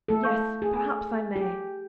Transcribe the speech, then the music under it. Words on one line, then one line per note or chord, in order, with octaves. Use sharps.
'Yes, perhaps I may.
A3 A4
F5 C#6 G6
G#4
G#5
G4